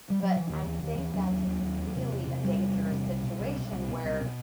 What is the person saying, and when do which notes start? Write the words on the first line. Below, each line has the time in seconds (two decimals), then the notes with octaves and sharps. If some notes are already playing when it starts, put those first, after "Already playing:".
But I think that's really a dangerous situation where
0.10 G3
0.23 F#3
0.36 E3
0.49 D#2 D#3
0.65 D#2 E3
0.83 D#2 D#3
0.98 D#2 E3
1.14 D#2 F#3
1.31 D#2
1.47 D#2
1.62 D#2
1.78 E2
1.95 C3
2.11 E2
2.27 C3
2.43 E2 G3
2.59 C3
2.76 E2
2.91 C3
3.07 C2
3.23 B2
3.40 C2
3.56 B2
3.72 C2
3.88 B2
4.04 C2
4.21 B2